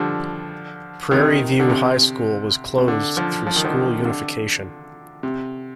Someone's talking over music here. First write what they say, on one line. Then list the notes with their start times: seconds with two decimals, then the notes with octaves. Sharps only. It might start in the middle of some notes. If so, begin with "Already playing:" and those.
Prairie View High School was closed through school unification.
Already playing: D3 F3 G3
1.11 C3 D#3
1.60 D3
1.70 C3
2.78 C3
2.88 D3
3.17 D3 F3
3.47 F3
3.56 D#3
3.65 D3 F3
4.00 C3
4.05 D3
5.23 C3